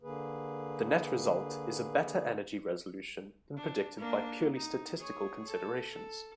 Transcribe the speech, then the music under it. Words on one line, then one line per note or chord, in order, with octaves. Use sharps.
The net result is a better energy resolution than predicted by purely statistical considerations.
D3 A#3 G#4 B4
D4
A#3 D4
D#4
G#4 C#5
A4
A4